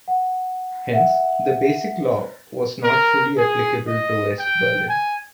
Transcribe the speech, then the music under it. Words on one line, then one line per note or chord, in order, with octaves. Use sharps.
Hence, the Basic Law was not fully applicable to West Berlin.
F#5
E5 F#5
A#4
G#4
D#5
G5
G#5